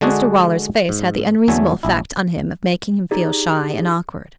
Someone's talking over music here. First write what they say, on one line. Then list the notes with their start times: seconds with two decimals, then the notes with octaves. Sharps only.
Mr Waller's face had the unreasonable effect on him of making him feel shy and awkward.
0.01 D3 G#3 D4 F#4 G#4 A4
0.89 G#2
1.48 E2 D3 F#3 A3 E5 G#5
1.83 A#1 E4
3.11 D#4 G4 G#4 D5